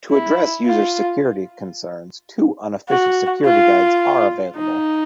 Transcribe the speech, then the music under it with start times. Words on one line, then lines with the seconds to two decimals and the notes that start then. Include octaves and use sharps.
To address user security concerns, two unofficial security guides are available.
0.10 E4
0.66 F4
2.89 F#4
3.45 F4
4.56 D#4